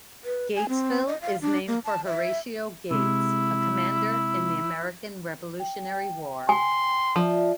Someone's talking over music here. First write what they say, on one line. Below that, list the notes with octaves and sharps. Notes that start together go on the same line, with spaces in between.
Gatesville is named for Horatio Gates, a commander in the American Revolutionary War.
B4
G#5
C4
D#5
F5
D4
A#3
A5
E5
C3 G#3 E4
G5
G#5 C6
F3 F4 D5 E5